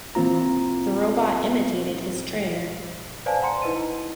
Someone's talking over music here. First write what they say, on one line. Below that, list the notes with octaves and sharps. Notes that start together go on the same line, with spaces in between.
The robot imitated his trainer.
E3 A#3 C4 F4 A#5
B4 C5 D5 F5 G#5 A5
F#5 A#5 C6 C#7
D#4 E4 B4 D#5 D#7